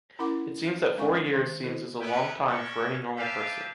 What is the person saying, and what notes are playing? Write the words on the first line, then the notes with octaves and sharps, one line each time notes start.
It seems that four years seems is a long time for any normal person.
C#4 E4 A#4 F#5 D6
G#3 C#4 A#4 F5 G#5 C#6
D#3
D#3 E4 A4 C5
B3 C#4 E4 B4 E5 G5
C#4 D4 A4 A#4 C#5 C#6
G4 B4 E5 F5 G5 A5